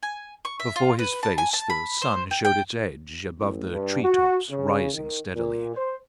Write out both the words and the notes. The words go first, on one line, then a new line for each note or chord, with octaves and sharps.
Before his face the sun showed its edge above the tree-tops rising steadily.
G#5
C#6
E5
F4
B4
A5
G#5
A5
B5
C5
G5
G5
A1
G2
F#4
C#3
D#3
A#2
C5